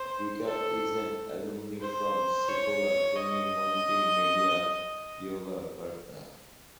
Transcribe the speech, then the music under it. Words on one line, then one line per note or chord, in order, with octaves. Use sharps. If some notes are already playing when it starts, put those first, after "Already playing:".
Vika is an alumni from Sekolah Tinggi Multi Media Yogyakarta.
Already playing: C5
A4
C5
C#5
D#5